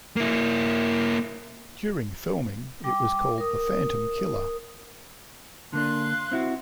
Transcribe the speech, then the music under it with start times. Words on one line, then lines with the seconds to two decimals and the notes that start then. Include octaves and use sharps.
During filming it was called "The Phantom Killer".
0.16 A#3 E4
2.84 G3 G5 D6
3.38 A#4 D#6
5.73 D3 A#3 D4 F5 C6 F#6
6.31 C4 E4 F#4